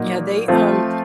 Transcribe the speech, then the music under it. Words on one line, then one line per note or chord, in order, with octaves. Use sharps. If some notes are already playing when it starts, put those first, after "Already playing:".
Yeah, they, um
Already playing: A#2 F#3 A#3 D#4
F3 A3 C4 F4